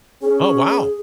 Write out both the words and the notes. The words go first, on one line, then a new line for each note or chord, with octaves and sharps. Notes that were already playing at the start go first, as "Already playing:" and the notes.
Oh, wow.
C#4 G#4